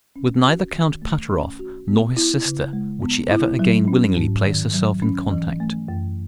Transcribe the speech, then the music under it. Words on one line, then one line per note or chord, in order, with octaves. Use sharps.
With neither Count Pateroff nor his sister would she ever again willingly place herself in contact.
C#4
F#4
D#3
A3
C#4
F#4
B3
E4
C#3
G#3
B3
E4
F#3
C#4
G#2
D#3
F#3
C#4
E3
A3
F#2